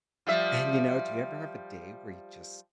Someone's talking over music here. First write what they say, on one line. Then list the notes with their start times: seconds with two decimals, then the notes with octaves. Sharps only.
And you know, do you ever have a day where you just
0.27 F3 G3 E5